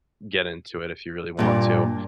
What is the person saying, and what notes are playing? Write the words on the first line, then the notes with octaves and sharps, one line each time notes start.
get into it if you really want to.
G2 A#2